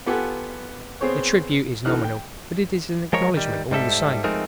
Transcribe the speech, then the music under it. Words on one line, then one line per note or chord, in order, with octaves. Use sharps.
The tribute is nominal, but it is an acknowledgment all the same.
B3 F4 G4 A4 F#5 G#5
B3 C4 G#4 C5 C#5
D3 E3 D#4 D#5 F6 F#6
G5
F3 G#3 A#4 C#5
D#3 G3
G#2 G3 A4 E5
F3 G#3 A3 C4 D#4 A#4